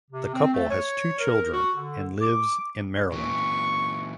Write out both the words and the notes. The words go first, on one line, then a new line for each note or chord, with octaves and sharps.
The couple has two children and lives in Maryland.
C3
C4
A3
C#5
A#4
F#4
D3
D6
A#2 E3 C#6